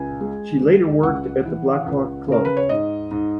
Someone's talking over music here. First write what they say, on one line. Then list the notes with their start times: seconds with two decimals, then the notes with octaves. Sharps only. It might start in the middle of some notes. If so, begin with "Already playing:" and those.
She later worked at the Blackhawk Club.
Already playing: C#2 G#5
0.20 G#3
0.61 G#3
1.03 C#2 F#5
1.45 E3
1.86 C#2
2.28 C#3 A#4
2.45 B4
2.57 C#5
2.69 G#2 D#5
3.11 G#2